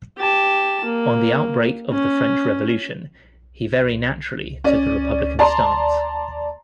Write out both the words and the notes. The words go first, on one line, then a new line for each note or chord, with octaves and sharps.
On the outbreak of the French Revolution he very naturally took a Republican stance.
G4 A5
A#3
C#4
C#4 D5
D5 A5 A#5 C6